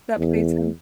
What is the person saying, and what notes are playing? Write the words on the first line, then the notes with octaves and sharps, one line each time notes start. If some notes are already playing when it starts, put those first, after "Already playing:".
that plays him?
E2